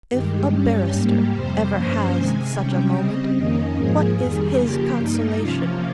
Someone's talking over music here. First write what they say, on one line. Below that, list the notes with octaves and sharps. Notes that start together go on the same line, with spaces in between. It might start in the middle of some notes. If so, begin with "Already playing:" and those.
If a barrister ever has such a moment, what is his consolation?
G2 D#3 G#3 G4
G2 G3 C#4
G#2 G3 A#3
F2 C3 G3 C5
G2 F3 A#3 C#4
C3 D#3 G#3 G#5
C3 G3 C#4 G5
C#3 G3 C4 D#5
F2 D#3 A#3 C#4
G#2 F3 A#3 G#4
F2 D#3 G3
C#3 F3 A#3 G4
G2 G3 A#3 D#4
C3 F3 A#3 C#4 F4